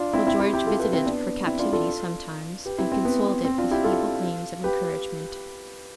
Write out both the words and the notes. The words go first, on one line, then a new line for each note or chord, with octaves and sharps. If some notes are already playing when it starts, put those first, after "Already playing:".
Little George visited her captivity sometimes and consoled it with feeble gleams of encouragement.
Already playing: D4 F4
C4 E4
C4 E4
E4 G4
E4 G4
F4 A4
G4 B4
C4 E4
B3 D4
C4 E4
D4 F4
F4 A4
G4 B4
C4 E4
C4
B3
C4
D4 F4
E4 G4
F4 A4
G4 B4